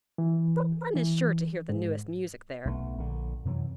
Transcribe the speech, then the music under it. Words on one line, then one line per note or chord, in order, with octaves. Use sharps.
But one is sure to hear the newest music there.
E3
E3
G#2
B1 A3 B3
A#1 D3
F#2 C3 E3 F#3